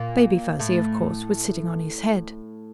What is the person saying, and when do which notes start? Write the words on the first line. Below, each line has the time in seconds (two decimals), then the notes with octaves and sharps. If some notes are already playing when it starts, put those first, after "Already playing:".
Baby Fuzzy, of course, was sitting on his head.
Already playing: A#2 A#3
0.59 A2 A3